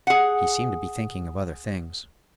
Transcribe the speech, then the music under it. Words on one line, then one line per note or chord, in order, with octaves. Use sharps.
He seemed to be thinking of other things.
G#4 F#5